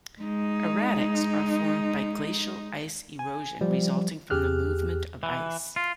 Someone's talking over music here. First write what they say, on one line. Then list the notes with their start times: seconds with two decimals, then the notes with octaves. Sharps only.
Erratics are formed by glacial ice erosion resulting from the movement of ice.
0.21 G#3 D#4
3.19 G#5
3.61 F3 G3
4.30 E2 G4 G#4 F6 F#6
5.23 E3
5.76 F4